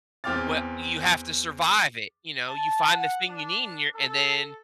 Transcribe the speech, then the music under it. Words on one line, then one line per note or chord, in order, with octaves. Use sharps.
We you have to survive it, you know? You find the thing you need and you're and then,
E2 C4 G5 D6 F6 A6
A5
F#5
D4
A4